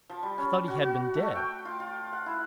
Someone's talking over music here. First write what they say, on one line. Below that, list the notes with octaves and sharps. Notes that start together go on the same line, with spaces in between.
I thought he had been dead!'
F3
G3
C#4
D5
F#4
F#4
A3
G5
F4
F4
F#5
E4